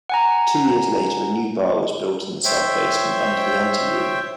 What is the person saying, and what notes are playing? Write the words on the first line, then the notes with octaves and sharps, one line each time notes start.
Two years later, a new bar was built in the sub-basement under the Ante-Room.
F#5 G#5 A#5
C5 C#5 E5 G5